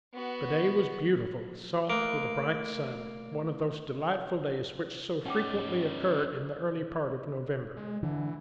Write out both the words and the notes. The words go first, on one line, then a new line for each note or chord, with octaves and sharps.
The day was beautiful, soft, with a bright sun, one of those delightful days which so frequently occur in the early part of November.
B3 F#4
A3 A#3 D7
C#4 D#4 F#5 G5 D6
G#3
D3 E3